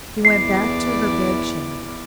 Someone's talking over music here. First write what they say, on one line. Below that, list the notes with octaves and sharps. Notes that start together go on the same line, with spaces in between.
She went back to her bed-chamber.
E2 E4 D5 C7